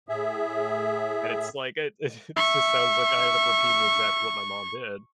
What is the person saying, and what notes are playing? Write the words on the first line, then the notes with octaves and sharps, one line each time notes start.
And it's like it it just sounds like I ended up repeating exactly what my mom did.
A2 G#4 E5
E5 C#6